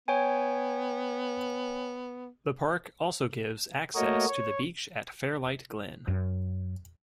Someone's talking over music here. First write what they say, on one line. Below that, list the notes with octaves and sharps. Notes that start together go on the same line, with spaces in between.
The park also gives access to the beach at Fairlight Glen.
B3 C#5 G5 G#5
A3 A#3 F#4 A#4 C#5 D#5
C#5
F#2